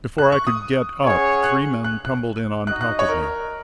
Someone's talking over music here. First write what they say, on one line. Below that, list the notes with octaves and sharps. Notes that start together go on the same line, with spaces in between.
Before I could get up three men tumbled in on top of me.
F#6
C#6
D#6
C#4 G#4 C#5 F#5
F#6
F#6
F#6
D#4 F#4 D#5 F#6
F#6
C#5
A#4